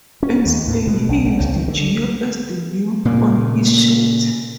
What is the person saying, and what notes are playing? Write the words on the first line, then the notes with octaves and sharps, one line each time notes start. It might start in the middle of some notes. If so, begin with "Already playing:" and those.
In Spain, he used "Gio" as the name on his shirt.
C#4
D#2
A2
B2
B1
C2
C#2
D#3
D3
A#2 C#3 A#3